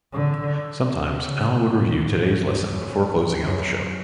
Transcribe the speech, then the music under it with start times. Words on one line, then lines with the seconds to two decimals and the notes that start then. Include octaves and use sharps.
Sometimes, Al would review today's lesson before closing out the show.
0.13 D3
1.23 C#3
1.61 B2
1.98 A2
2.34 G2
2.71 F#2
3.45 F#2